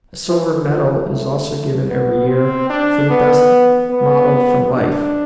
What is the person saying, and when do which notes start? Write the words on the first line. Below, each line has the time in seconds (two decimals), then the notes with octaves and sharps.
A silver medal is also given every year for the best model from life.
0.28 E3
0.68 F3
1.07 A3
1.89 B3
2.28 C4
2.69 D4
3.10 B3
3.90 B3
4.70 D4